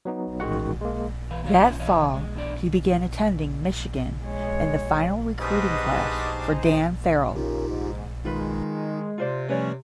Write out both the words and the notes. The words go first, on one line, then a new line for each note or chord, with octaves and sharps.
That fall he began attending Michigan in the final recruiting class for Dan Farrell.
F#3 B3 D#4
A1 D#3 G#3 F#4 F#5
G#3 A#3
E3 B4 F5
A#3 D4 F#4 C#5 F5
D3 C4 C#4 E4 F4
E3 C#5 D#5 F5
G#3
E2 A2 D4 D5
G#3 C#5
G3 D4 D#4 F#4 G#4 B4 C5 D#5
D#2 C#3 D#4 F4 G4 A#4
G#2
D#3 G#3 D#4 F4 B4
C3 F4 C5 D5
F3 G3 A3 C#4 B4 C#5 D5